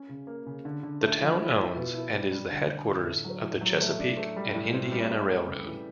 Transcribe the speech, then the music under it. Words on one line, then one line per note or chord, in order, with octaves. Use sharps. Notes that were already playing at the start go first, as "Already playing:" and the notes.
The town owns and is the headquarters of the Chesapeake and Indiana Railroad.
Already playing: C#4
C#3
A#3
C#3
D3
D3
A3
F3
E4
E4
B2
E4
G3
G3
D3
D3
A2
A3
F#3
A2
F#3
A3
D4
A3
G3
A2
C4
G3
A3
A3
C#3
E3